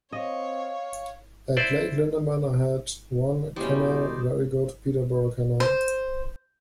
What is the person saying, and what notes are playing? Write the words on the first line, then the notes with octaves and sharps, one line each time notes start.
At Lake Linderman I had one canoe, very good Peterborough canoe.
C4 C#5 D#5 F5
E4 C5 D5
B2 G3 C#4 D#4 E4 C5 D5
C5